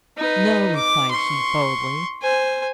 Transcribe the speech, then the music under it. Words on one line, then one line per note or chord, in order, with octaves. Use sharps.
'No,' replied he, boldly.
D#4 B4
D6
C6 C#6
C5 G#5